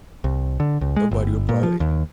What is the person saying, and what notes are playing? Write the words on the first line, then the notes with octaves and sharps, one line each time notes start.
Nobody will probably
C2
D3
C#2
G#3
G1
A#2
F3
D#2